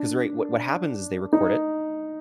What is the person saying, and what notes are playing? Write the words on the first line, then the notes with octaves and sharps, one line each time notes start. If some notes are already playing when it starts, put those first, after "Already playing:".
'cause, right, what what happens is they record it,
Already playing: D4
D#4